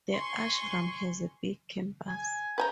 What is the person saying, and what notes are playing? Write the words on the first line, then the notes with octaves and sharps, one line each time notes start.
The ashram has a big campus.
G#5 C6 C#6
G#5
B4 G5 G#5 A#5